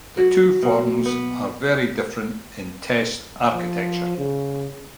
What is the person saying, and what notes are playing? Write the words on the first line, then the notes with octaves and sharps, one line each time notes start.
The two forms are very different in test architecture.
F#3
B2
B3
F3
C#3